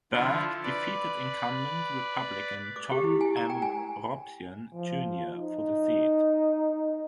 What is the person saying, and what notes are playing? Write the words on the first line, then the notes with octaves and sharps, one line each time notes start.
Burke defeated incumbent Republican John M. Robsion, Junior for the seat.
D3 F3 E4 F4
B4 D5
D6
G4
E4
G#5
A#5
G5
G#5
F3
D#4